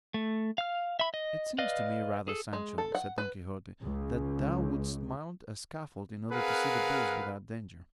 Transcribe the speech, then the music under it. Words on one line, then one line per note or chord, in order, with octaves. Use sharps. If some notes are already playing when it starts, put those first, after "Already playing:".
"It seems to me rather, Sancho," said Don Quixote, "that thou wouldst mount a scaffold in order to see the bulls without danger."
A3
F5 F6
E5 B5
D#5
B4 D5 D#5 F5
G#4 A4
G#3
A4
F#5
B4
C#2
C4 G#4 A#4 B4 F5 F#5